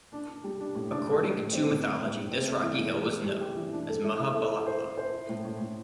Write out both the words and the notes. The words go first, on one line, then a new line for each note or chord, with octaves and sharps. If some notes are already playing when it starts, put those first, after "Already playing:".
According to mythology, this rocky hill was known as Mahabalachala.
D4
D4
G3
D4
A2
D4
G3
A2
A2
C4
A2
A3
A2
A2
C4
A3
E3
E3
G3
G3
G3
G4
E3
D4
A4
E4
E4
A4
E4
C5
E4
C5
E4
A2
A2
A2